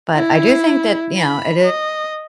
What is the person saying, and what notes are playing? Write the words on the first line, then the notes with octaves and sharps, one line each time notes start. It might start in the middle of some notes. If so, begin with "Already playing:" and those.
but I do think that, you know, it
E4
B5
D#5